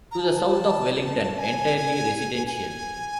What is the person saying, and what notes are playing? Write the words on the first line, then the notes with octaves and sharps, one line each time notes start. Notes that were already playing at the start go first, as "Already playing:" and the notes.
To the south of Wellington, entirely residential.
A#5
A5
G#5
A5
G#5
G#5